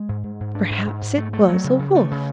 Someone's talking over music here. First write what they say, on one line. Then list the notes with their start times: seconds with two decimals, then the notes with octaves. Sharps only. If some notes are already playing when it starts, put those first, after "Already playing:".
Perhaps it was a wolf.
Already playing: G#3
0.09 G#2
0.24 G#2
0.40 G#2
0.55 D4
0.70 G#2
0.87 G#2
1.02 G#2
1.18 A3
1.33 A3
1.49 F#3
1.64 C#3
1.79 C#3
1.95 A3
2.11 C#3